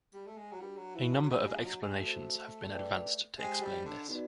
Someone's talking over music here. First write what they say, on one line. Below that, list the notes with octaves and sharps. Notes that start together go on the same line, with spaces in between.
A number of explanations have been advanced to explain this.
G3
A3
G#3
F#3
G3 D4 F#4 A#4
F#3
E3
F#3
F#3
G3 A#3 D4 F#4 A#4 D#5
G#3
F3
F#3
G#3
A3 F#4 A4 C5
G#4 B4 D5 G5
G#3 G4 C5 D#5 G5
G3
D3
B2 D#4 F#4 A#4 D5